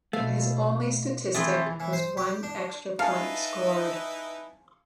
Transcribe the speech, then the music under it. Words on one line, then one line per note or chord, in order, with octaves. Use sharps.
His only statistic was one extra point scored.
B2 A3 F5
E3 A3 C4 G#4
E3
C5
G4
D4
D#4 E4 B4 F5 G#5 A5